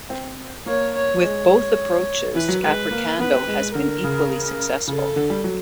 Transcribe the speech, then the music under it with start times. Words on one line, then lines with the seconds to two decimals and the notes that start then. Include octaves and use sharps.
With both approaches, Africando has been equally successful.
0.10 C4
0.66 A#3 C#5
0.95 C#5
1.22 G#3 C#5
2.35 E3 B4
2.48 F#3
2.63 G#3 B4
2.91 A#3
3.19 B3 B4
3.33 C4
3.47 G#3
3.75 D3 A#4
4.04 C#3
4.87 C#3 A4
5.16 D3
5.30 G3
5.44 F#3